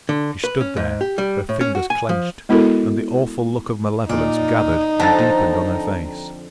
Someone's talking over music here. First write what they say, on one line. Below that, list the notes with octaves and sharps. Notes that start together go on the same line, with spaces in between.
She stood there, her fingers clenched, and the awful look of malevolence gathered and deepened on her face.
D3
B4
C#4
G#2
G4
G3
A2
C#4
F#4
G#5
F3
G#3 B3 E4 F#4 A4 A#4
A#2 D#4 D5
F2 D3 C4 A5 A#5 A6